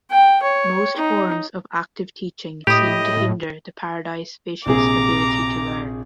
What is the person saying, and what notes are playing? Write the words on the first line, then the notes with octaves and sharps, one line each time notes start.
Most forms of active teaching seem to hinder the paradise fish's ability to learn.
G5
C#5
D#4
A2 E4 G4 D#5 D#6
A#1 C3 G#4 A#5 D6